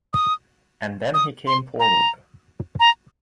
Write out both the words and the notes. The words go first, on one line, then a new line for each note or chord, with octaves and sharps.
And then he came forward.
D#6
D#6
C6
A#5
A#5